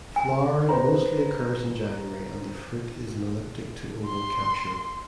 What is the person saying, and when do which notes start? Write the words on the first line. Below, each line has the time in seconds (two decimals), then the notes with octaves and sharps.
Flowering mostly occurs in January and the fruit is an elliptic to oval capsule.
0.16 G#5
0.69 B4 C5 A#5
4.05 C6